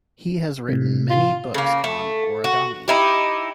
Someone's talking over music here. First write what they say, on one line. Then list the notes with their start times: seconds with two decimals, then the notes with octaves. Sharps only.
He has written many books on origami.
0.68 A2 C3
1.10 F4
1.54 C#3 A#3
1.84 A3
2.44 F#4
2.88 D#4 E4 G4